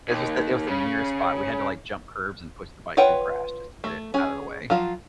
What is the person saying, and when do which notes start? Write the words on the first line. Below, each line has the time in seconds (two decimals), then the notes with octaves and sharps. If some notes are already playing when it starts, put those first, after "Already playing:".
This was the it was the nearest spot, we had to like jump curbs and push the bike through grass just to get it out of the way.
0.08 D#2
0.67 C#3
2.97 F4 B4 C#5 F#5 G5
3.84 A3
4.14 C#4 G#4
4.70 F3 F#3 F4